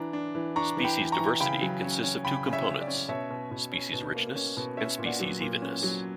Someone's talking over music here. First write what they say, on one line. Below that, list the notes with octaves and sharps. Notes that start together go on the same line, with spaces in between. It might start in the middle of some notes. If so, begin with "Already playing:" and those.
Species diversity consists of two components: species richness and species evenness.
Already playing: E3 D4 A#5
D4
E3
D4 A#5 C#6
E3
G5 B5
E3
A#5 C#6
E3
C#3 G5 B5
F#3
C#4
C#4
C#3 G5 B5
C#3
C#5 E5
C#3
D5
C#4
B2 C#5 E5
B2
B2
C#4
B2
A#3
C#4
B2
C#4 C#5 E5
A#2
D5 F#5
F#3
A#2
C#4
F#3